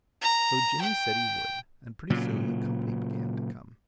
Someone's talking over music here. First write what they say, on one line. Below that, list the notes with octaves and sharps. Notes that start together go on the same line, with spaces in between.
So Jimmie said he would, and pretty soon the company began to come.
A#5
G5
A#2 C#3 F#3